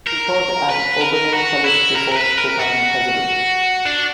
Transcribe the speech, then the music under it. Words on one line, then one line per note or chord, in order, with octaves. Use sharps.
She taught at Oberlin College before becoming President.
A#4
B4
A#4
F#4
E4
A#4
A#4
B4
A#4
F#4
D4